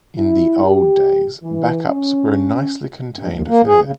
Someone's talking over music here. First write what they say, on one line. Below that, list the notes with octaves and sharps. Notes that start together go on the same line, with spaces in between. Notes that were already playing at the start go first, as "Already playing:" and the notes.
In the "old days", backups were a nicely contained affair.
E4
G4
E3
C#4
G2
D#2
A#3
G#4
C#3